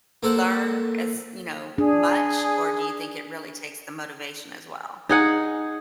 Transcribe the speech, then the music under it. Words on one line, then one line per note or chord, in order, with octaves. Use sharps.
learn as, you know, much? Or do you think it really takes the motivation as well?
A#3 A4 C5 F#5
D4 G#4
D#4 G#4 F#5